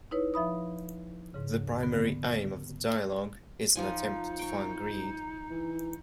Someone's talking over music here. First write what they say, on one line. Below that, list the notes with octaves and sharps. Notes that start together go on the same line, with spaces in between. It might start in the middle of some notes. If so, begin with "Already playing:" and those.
The primary aim of the dialogue is an attempt to define greed.
D#4 E4 B4 C#5
F3 E5 B5 D#6
G#2 C#3
D2
D3 B3
F3 D#4 F4 G#5
G5 C#6
E3